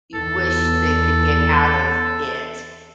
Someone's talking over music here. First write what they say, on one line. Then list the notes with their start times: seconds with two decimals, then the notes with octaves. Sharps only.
you wish they could get out of it.
0.14 E2 A4